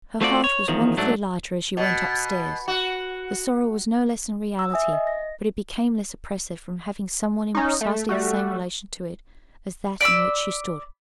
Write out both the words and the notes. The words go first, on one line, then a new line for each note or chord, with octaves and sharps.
Her heart was wonderfully lighter as she went up-stairs; the sorrow was no less in reality, but it became less oppressive from having some one in precisely the same relation to it as that in which she stood.
A3 C4 F4 F#4 D5
C#5
E2 D#3 F3
G#2 F#3 A3 D4
B2
F#4
E6
E5 G#5 D#6
D#5
A#6
C#4 D#4
A3
G3 A3 F#4
D5 B5 C#6 E6